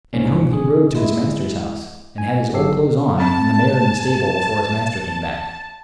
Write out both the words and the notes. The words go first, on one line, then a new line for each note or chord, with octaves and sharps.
And home he rode, to his master's house, and had his old clothes on and the mare in the stable before his master came back.
C2 G#2 F3 C#4
G#4
G#3 E4
G#5
G1 D#3 F#3 G4 A4 C7
C4 A5